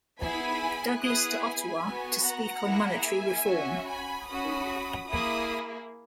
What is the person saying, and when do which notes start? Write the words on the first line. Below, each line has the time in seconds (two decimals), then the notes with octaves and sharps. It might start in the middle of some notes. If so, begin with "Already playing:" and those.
Douglas to Ottawa to speak on monetary reform.
0.20 B3 E4 G#4 G#5 B5
1.02 B3 E4 G#4 D#6 F#6
1.43 G#5 B5
1.84 B3 F#4
2.24 F#5 A#5
2.65 A#3 E4 G#4
3.05 E5 G#5
3.46 C#4 F#4
3.87 G#5 B5
4.28 C#4 F#4 B5 D#6
5.09 A#3 E4 G#4 B5 D#6